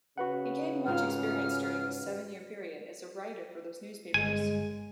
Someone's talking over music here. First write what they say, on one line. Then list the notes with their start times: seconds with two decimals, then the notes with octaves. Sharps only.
He gained much experience during this seven-year period as a writer for those newspapers.
0.18 C#3 F#4 B4 F#5
0.86 G#2 D#3 F4 F6
4.14 G1 G#3 G#5